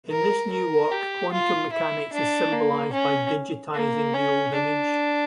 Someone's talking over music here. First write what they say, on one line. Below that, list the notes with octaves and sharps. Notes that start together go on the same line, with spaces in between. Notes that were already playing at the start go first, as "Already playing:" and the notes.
In this new work, quantum mechanics is symbolized by "digitizing" the old image.
A#4
A#4
G4
F4
E4
D4
A#3
C#4
A#3
C#4
D4